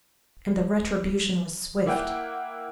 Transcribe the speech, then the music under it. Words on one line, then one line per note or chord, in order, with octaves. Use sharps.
And the retribution was swift.
A#3 E4 F#5 G5